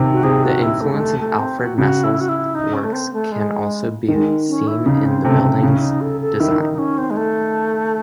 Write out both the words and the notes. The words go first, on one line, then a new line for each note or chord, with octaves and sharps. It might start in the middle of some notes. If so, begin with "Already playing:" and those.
The influence of Alfred Messel's works can also be seen in the building's design.
Already playing: C3 D#3
F#4
C3 G#4
F#4
E4
A3
G#3
A3
A3
C4
F#4
C#3 F#4
E4
F#4
E4
D#4
C#4
A3
C4
A3
G#3
D#3 G#3
C#4
E4
C#3 D#4
C4
C3 A3
C#3
C3
A3
C#3 C#4
E4
D#4
A4
A4
D#3 E4
D#4
D#4
C#4
C4
G#3
A3